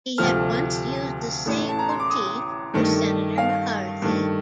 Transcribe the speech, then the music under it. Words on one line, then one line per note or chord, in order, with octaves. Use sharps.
He had once used the same motif for Senator McCarthy.
D2 C3 F3 A3 F6
A1 A2 A3
A5
A#5
C6
D6
D#6
G2 D#3 A3
F5
G2 D#3 A3